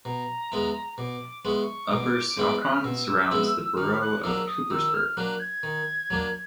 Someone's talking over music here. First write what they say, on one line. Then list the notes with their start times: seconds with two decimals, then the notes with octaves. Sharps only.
Upper Saucon surrounds the borough of Coopersburg.
0.05 B2 A#5
0.52 G#3 B3 E4
0.98 B2 D6
1.45 G#3 B3 E4 C#6
1.54 C6
1.62 C#6
1.91 B2 D6
2.38 G#3 B3 E4
2.60 F#6
2.73 F6
2.84 B2 E6
3.31 G#3 B3 E4
3.77 D#3 F6
3.94 F6
4.01 F#6
4.23 F#3 A#3 D4 E6
4.47 D#6
4.70 D#3 E6
4.94 F6
5.17 F#3 A#3 D4 F#6
5.40 G#6
5.63 D#3
6.10 F#3 A#3 D4